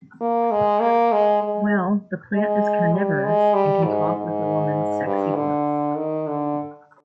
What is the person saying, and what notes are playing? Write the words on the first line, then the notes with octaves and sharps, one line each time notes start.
Well, the plant is carnivorous and can talk with a woman's sexy voice.
A#3
G#3
A#3
G#3
G#3
G#3
G3
G#3
G3
G#2
G#2
G2
D3
D#3
D3